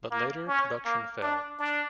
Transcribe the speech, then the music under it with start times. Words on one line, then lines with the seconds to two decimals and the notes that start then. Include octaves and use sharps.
But later production fell.
0.11 A#3
0.48 C#4
0.85 A#3
1.23 D4
1.59 D4